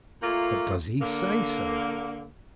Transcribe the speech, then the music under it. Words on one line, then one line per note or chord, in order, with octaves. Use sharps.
"But does he say so?"
A#2 A3 A#3 F4
D3 A#3